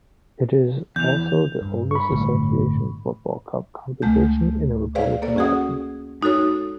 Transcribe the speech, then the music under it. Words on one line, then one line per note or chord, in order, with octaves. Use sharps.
It is also the oldest association football cup competition in the Republic of Ireland.
E2 E3 G6 F7
G2
B5 C#6
G1 A2 G3
D2 G#3 A3 G6
G#4 B4 C5 D5 F5
A#3 A4 D5
C#4 F#4 G#4 F#5 D#6
G#3 D#4 F#4 A4 C#5